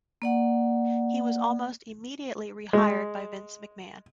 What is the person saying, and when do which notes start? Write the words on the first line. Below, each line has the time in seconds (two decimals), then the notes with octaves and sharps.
He was almost immediately re-hired by Vince McMahon.
0.22 A#3 D5 F#5
2.73 G#3